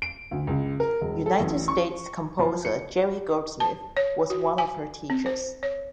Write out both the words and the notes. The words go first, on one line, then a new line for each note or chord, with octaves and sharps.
United States composer Jerry Goldsmith was one of her teachers.
D7
D2
C#2
A#4
E1
A4
A1
C#6
F3
C#7
A5
C#5
F#4
G#5
C4
C5
C#5